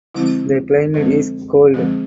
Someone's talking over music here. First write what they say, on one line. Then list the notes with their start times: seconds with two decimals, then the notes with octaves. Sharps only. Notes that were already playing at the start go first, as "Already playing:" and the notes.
The climate is cold.
0.14 D3 F3 G#3 C4 E4
0.94 D3 F3 G#3 C4 A4
1.74 D3 F3 G#3 C4 G#4